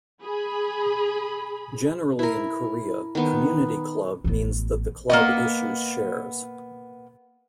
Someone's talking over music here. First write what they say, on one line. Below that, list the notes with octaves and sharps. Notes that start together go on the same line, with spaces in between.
Generally in Korea, 'community-club' means that the club issues shares.
G#4 B5
E4 A#4
D#3 B3
A1 B3
A#3 B3 D#5